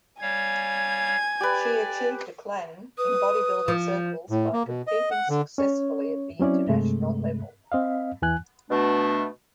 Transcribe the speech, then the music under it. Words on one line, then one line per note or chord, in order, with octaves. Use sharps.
She achieved acclaim in bodybuilding circles by competing successfully at the international level.
G3 C#5 F5 G#5 G#6
G4 B4 D5
B4 D#6
F3
A2
A#3
B2
D#5
F#5
D3
C#4 C#5
F#3 C4 C#4 E4 D5
G2 C3 G#3 A3
C4 D#5 F5
E2 E3 G#5 F#6
B2 A3 D4